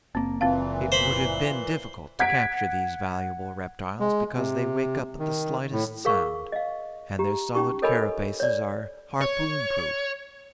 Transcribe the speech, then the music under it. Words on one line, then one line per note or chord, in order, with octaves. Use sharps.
It would have been difficult to capture these valuable reptiles, because they wake up at the slightest sound, and their solid carapaces are harpoon-proof.
F#1 A#3 C4
F#1 A#2 E3 C4 F5
C5 B5
F#5 G#6 B6 D7
G#3
C3
D#3
A2
G#4 A#4 F5 C#6
D#5 F5
G4 A#5
C#4 D#4 G4 C#6
A4 A#4 C#5 D#5 G#5 B5
C#5 D5
C#5